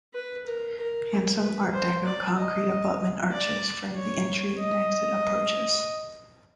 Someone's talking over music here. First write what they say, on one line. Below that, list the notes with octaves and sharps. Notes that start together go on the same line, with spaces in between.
Handsome art-deco concrete abutment arches frame the entry and exit approaches.
B4
A#4
A#4
B4
C5
D5
D#5
D5
C#5
D#5